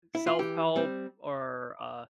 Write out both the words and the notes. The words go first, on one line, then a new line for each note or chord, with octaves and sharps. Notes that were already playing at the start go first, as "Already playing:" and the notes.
self-help or, uh
E4
F4
E3 G4
G3 C4